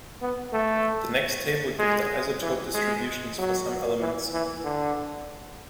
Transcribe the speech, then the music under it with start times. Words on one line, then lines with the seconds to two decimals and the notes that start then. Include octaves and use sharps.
The next table gives the isotope distributions for some elements.
0.22 B3
0.53 A3
1.79 G#3
2.42 E3
2.74 G#3
3.38 F#3
4.00 E3
4.33 E3
4.64 D3